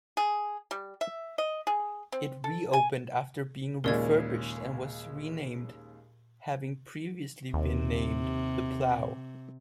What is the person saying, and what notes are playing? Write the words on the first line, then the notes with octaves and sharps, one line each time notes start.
It re-opened after being refurbished and was renamed having previously been named The Plough.
G#4
G3
E5
D#5
G#4
C4
A4
G#5
D#2 A#2 C#3 G#3 A#4 D5 G#6
D#2 C3